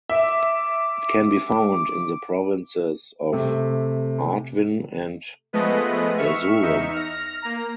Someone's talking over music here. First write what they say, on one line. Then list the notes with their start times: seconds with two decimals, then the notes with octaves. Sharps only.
It can be found in the provinces of Artvin and Erzurum.
0.09 E5 D6
3.32 C3 A3
5.53 F3 G#3 A3 B3 B4 D#5
6.18 E5 C#6 F6
6.62 E2 D#4 E5 C#7
6.93 F6 A#6
7.42 A#3 A#5